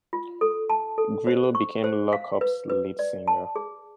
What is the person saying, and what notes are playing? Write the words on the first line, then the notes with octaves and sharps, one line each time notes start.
Grillo became Lock Up's lead singer.
F4
A4
A5
A4
C5
C#6
C5
F5
B4
B4
D5
A5
G#4